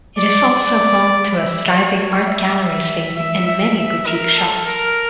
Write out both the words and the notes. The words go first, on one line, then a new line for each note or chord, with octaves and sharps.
It is also home to a thriving art gallery scene and many boutique shops.
D5
D5
E5
C#5
E5
E5
E5
E5
A#4
A4
A#4